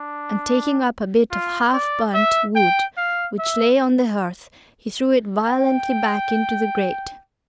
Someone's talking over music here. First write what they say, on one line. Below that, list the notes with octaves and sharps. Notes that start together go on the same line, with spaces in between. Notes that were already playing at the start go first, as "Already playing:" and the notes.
And taking up a bit of half-burnt wood which lay on the hearth, he threw it violently back into the grate.
Already playing: D4
F4
D5
E5
G5
F5
E5
G5